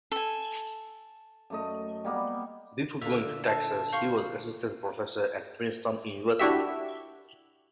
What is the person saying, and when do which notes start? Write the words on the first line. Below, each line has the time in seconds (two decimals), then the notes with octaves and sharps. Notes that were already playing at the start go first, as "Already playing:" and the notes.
Before going to Texas, he was assistant professor at Princeton University.
0.12 A4 G#5
1.50 F#2 A3 D#5
2.04 G3 A#3 B3
3.02 A#2 D3 E5 F5
3.44 E5 A5
3.92 C5 F5 C#6
6.39 D4 E4 F#4 G4 E5